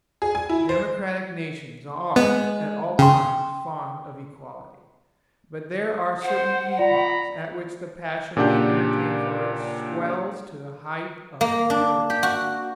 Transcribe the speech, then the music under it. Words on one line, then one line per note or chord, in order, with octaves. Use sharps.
Democratic nations are at all times fond of equality, but there are certain epochs at which the passion they entertain for it swells to the height of fury.
G#4
G#5
E4
C5
G#3 B3
C#3 G5 C6
C5 F#5
F4 D5 A#5 B5
A#2 C#3 D4 G4 F#5 G6
A#3
D4
G4
F#4